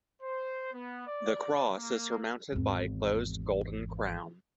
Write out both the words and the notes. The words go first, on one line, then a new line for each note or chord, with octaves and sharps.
The cross is surmounted by a closed golden crown.
C5
B3
D5
A#3
G#1 E2